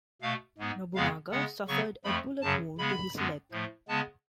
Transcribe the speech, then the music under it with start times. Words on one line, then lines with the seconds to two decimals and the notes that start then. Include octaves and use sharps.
Nobunaga suffered a bullet wound to his leg.
0.22 B2 A3 F5
0.58 G#2 G#3 B3
0.95 F2 C#3 G#3 B3 F5
1.31 C#3 G#3 B3 F#5
1.68 C#3 F#3 B3 C#6
2.04 F2 F3 A3 B5
2.42 F#2 C#3 F#3 A5
2.78 C#3 G#3 B3 B5
3.15 F#2 D3 G#3 B3
3.51 A2 F3 A3
3.88 C#3 G#3 B3 A5